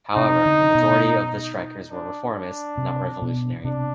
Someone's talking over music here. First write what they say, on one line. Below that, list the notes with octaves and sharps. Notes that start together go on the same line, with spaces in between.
However, the majority of the strikers were reformist, not revolutionary.
C3 D#4
D3
B2
D4
D4
C3
B2
C3 D4